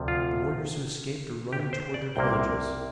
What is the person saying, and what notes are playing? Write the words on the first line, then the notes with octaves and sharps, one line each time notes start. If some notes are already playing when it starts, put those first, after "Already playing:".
The warriors who escaped are running toward their villages.
Already playing: D2 C3 F3
F4
G4
C5
D5
C2 C3 A#3 G5